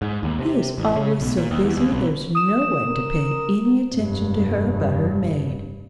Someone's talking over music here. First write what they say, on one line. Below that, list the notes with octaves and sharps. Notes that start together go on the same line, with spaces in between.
He is always so busy there's no one to pay any attention to her but her maid.
G#2
D#2
C3
A1
C#3
B1
A#2
D#2
E2
D#2
B1
D#6 E7
A#4
F1 G2